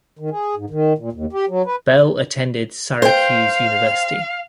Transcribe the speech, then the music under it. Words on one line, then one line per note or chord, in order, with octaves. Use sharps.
Bell attended Syracuse University.
D#3
G#4
G#2
D#3
A#2
D#2
G4
F#3
B4
C5 F5 G5